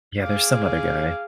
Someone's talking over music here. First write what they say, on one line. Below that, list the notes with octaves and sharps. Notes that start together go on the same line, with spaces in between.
Yeah, there's some other guy.
G#4 F5 D6